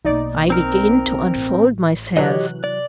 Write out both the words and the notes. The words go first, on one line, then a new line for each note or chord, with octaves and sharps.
I begin to unfold myself.
B1 A#3 D#4 D5
C4 A#4 F6
A1
C3 E3 F#3 G4 C#5 D#5 F#6
D5